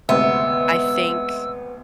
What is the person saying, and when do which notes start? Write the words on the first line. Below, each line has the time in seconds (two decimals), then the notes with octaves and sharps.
I think
0.09 G#1 D2 C3 B3 E5 E6